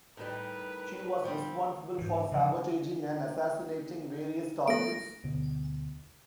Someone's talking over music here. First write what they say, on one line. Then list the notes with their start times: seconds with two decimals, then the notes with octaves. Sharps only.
She was responsible for sabotaging and assassinating various targets.
0.17 A2 D#3 G3 A#4 B4
1.23 F3 G3 C4
1.98 G#2 E3
2.32 C#3 F3
4.68 F3 A3 B3 A#6 D7
5.24 D2 B2 D3 B3